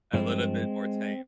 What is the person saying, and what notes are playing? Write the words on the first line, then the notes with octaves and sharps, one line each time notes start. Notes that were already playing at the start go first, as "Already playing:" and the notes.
a little bit more tame.
G2 F3 G#3 C4